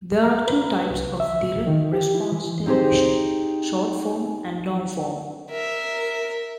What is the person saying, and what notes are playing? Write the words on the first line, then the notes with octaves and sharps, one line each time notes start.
There are two types of direct response television, short form and long form.
A#5
B4
C2
E5
D#3
G4
E4
E3
C4 D#4 G4 G#4 C5
A#4 E5